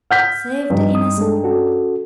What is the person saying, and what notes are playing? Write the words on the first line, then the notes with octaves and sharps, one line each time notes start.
Save the innocent!
F#5 F6 G6 B6
G2 F3 D#4 B4
D#6
G#3 D4 A4
C#4 F#4 A4